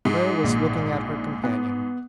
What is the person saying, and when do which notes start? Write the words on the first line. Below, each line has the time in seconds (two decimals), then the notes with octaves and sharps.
Claire was looking at her companion.
0.05 G#2
0.44 A#1
1.44 B3